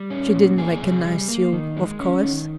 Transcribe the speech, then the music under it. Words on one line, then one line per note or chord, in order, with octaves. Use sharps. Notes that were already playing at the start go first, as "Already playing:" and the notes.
"She didn't recognize you, of course?"
Already playing: G3
C#4
A#2
F2 G#4
C3
G3
A#3
D#3
G#3
C#4
D#3